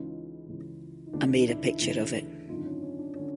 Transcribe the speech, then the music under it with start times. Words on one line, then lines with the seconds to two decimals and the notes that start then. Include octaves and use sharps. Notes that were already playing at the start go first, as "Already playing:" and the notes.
I made a picture of it.
Already playing: C#2 C#3 E3 D#4 F4
0.47 C#2 C#3 E3
1.06 D#4
1.13 D2 C#3 E3 D4
1.31 D4
1.39 D#4
1.47 D4 E4
1.64 D4 E4
1.80 D2 C#3 E3 D4 E4
2.48 G#1 F#2 D3 D#4 F4
2.57 D4
2.65 C#4 D#4
2.82 C#4
2.99 D4
3.16 D3 C#4